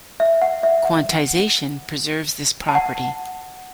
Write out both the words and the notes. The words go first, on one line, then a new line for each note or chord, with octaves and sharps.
Quantization preserves this property.
E5
F#5
E5
F#5
A5
F#5